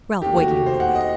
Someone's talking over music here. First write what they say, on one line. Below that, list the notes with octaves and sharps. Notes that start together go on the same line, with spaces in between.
Ralph waited a moment.
D#2 D#3 A3 G4
F#4
G4
C5
F#5
D#5